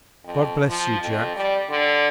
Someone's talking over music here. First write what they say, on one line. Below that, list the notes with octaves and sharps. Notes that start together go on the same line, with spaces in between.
God bless you, Jack.
F2
F3
F2
G3
D3